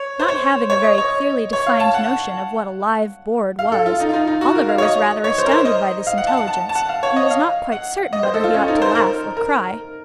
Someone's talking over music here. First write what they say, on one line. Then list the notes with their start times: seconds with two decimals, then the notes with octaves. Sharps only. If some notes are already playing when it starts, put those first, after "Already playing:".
Not having a very clearly defined notion of what a live board was, Oliver was rather astounded by this intelligence, and was not quite certain whether he ought to laugh or cry.
Already playing: C#5
0.20 C5
0.28 C#5
0.70 C#5
0.84 D#5
0.98 C#5
1.53 C#5
1.66 F5
1.80 A5
1.94 F#5
3.59 F5
3.72 A4
3.86 F4
4.00 D#4
4.09 F4
4.14 D#4
4.27 D#4
4.41 F#4
4.55 A#4
4.69 F5
4.78 C#5
4.82 D#5
5.24 C#5
5.38 C5
5.46 A#4
5.51 C5
5.65 D#5
6.07 F5
6.18 F#5
6.27 A5
6.37 F#5
6.48 A5
6.69 A5
6.75 F#5
6.89 F5
7.03 C#5
7.16 D#5
7.30 F5
7.72 F#5
8.13 D#5
8.23 C5
8.34 A4
8.44 F4
8.54 C#4
8.68 D#4
8.77 A#4
8.82 C5
8.95 A#4
9.37 A#4